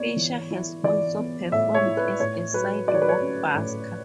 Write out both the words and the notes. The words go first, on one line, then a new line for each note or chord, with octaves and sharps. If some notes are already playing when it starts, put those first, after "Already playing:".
Fisher has also performed as a sidewalk busker.
Already playing: B3 C#5 D5
E3
E4
E3 D5
B3
A2 E5
C#5
E4
B4
A2 C#5
F#3 B4
F#3 D5
C#5
B4
C#5
C#4
A2